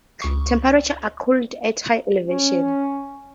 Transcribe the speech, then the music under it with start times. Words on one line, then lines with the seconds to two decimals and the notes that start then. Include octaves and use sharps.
Temperatures are cooler at higher elevations.
0.22 C#2 C#6
2.23 C#4